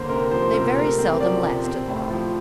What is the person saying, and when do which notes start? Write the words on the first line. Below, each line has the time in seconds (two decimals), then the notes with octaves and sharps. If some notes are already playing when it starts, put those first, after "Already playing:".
They very seldom lasted long.
Already playing: D3 A#3 C5
0.09 C3 A#4
0.31 F3 C5
0.54 C3 A#4
0.76 A3 A#4
0.98 C4
1.20 F3 D5
1.43 C3
1.65 C4
1.88 A2
2.10 F3